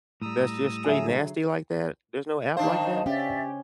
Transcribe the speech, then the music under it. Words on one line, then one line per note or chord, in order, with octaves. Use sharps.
that's just straight nasty like that, there's no app like that?
A2 G3 A#5 D#6 E6
D3 F#3 G#4 E5 G#5
D#3 D4 D#4 C5 F5 A5
C#4 G4 D5 E5